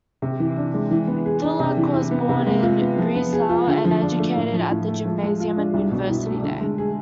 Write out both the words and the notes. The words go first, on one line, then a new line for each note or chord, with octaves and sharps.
Tholuck was born at Breslau, and educated at the gymnasium and university there.
C3
E3
D4
G#3
E3
B3
G#4
D4
C3
E3
E4
B3
C3
G#3
F4
B3
F3
B3
G#4
F4
D3
F3
D4
A3
A2
F3
A2
A3
F3
G#3
F4
D4
C2
B2
E4
A3
D3
G#3
G#4